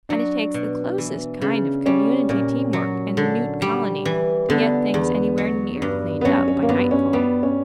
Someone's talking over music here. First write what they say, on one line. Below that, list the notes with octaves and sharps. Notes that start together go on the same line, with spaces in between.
And it takes the closest kind of community team-work in the newt colony to get things anywhere near cleaned up by nightfall.
F#3 D4
B2
E3
C#3
G3 C#4
A#2 C#4
F#3
D3
G3
E3
D3 B3
E2
F#3
G2
B3
F#3 C#4
C#4
A#3
G2 B3
C#4
G3 B3
C#4